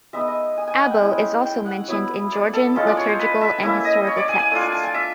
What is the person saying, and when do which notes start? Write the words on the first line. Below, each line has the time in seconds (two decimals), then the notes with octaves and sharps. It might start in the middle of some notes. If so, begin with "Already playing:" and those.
Abo is also mentioned in Georgian liturgical and historical texts.
0.13 G#3 B3 D#4 E5
0.28 D#5
0.57 G#5
0.68 G#5
0.79 F#5
0.90 G5
1.01 G#3 C#4 E4
1.45 G5
1.66 F#5
1.88 F#3 B3 E4
2.32 D5
2.53 A4
2.75 G#3 C#4 F4 A4
2.87 D5
2.97 C#5
3.09 C5
3.19 B4
3.41 E5
3.63 A#3 C#4 E4 E5
3.84 D#5
4.07 C#5
4.17 D5
4.29 G#5
4.39 G#5
4.51 A3 D4 F4
4.61 G#5
4.72 A5
4.83 G#5
4.94 E5